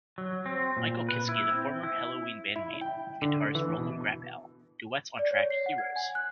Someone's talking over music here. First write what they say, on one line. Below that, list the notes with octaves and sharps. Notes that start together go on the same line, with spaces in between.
Michael Kiske, the former Helloween bandmate of guitarist Roland Grapow, duets on track "Heroes".
F#3
C4
A#2
B4
E4
C4
E4
E4
G5
D3
E3
B2
D5
C#5
C7
F#5
G#6
G#5
F#6